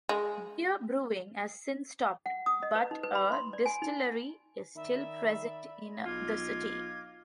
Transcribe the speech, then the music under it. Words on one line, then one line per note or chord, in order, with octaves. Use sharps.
Beer brewing has since stopped, but a distillery is still present in the city.
G#3
F#5
D#6
D#5
B4
D#4
B4
B5
C6
D5
G#5
D#4
D#3 D5 E5 B5
B1 F4 D#5 D6 G#6